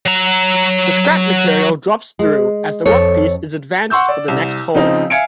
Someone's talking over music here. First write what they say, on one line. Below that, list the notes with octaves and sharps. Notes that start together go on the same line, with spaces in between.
The scrap material drops through as the workpiece is advanced for the next hole.
F#3 A#5
G#3
F2 A4 C#5
F#5 C6 C#6 E6 G6
D5
C2
C#3 F3 C4 D#4
E5 F5 G#5 G#6 C#7 D7